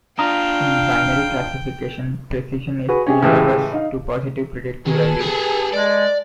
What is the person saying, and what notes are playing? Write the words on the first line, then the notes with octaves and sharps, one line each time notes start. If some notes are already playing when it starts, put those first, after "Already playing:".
In binary classification, precision is analogous to positive predictive value.
D4 F4 F5 G5 A#5 D#6
F#4 G#4 B4
C#4 G4 G#4
A2 C#3 E3 G#3 G4
D#4 F5
D#3 G#4 A4 B4
G4 G#5
G#3 D5